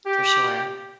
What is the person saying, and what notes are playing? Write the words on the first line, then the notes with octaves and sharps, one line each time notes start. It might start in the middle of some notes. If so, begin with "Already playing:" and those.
For sure.
G4